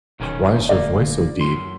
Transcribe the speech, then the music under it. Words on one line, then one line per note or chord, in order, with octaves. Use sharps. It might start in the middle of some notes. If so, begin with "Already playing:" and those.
"Why is your voice so deep?"
D#1 B1 D#3 C#4
D2 A#3 D5
F#2 C6